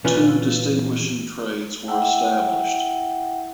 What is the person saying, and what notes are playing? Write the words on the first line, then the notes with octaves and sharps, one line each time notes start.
Two distinguishing traits were established.
A#2 E3 C#4 F4 B4
E4 E5 F#5 G5